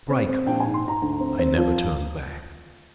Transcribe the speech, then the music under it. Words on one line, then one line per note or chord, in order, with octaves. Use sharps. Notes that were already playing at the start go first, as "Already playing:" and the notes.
Strike!' I never turned back.
C4
C4
A#1 G5
G#2 G#5
C6
G#2 A#5
D2
C4
C4
F3